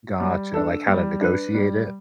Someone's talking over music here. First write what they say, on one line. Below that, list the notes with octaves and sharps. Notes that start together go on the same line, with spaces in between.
Gotcha. Like how to negotiate it?
G3
D4 A4
G3
D4 B4
G3